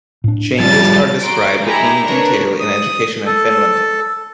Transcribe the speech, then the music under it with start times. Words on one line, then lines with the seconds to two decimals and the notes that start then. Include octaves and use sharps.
Changes are described in detail in Education in Finland.
0.24 A2 D4
0.60 F3 G3 A6
1.22 F#4 A#5 C6 D7
1.63 D#4 E4 G4 G#4 A#5
2.05 D4 A#4 B4 C#5
2.60 D#6
3.26 A4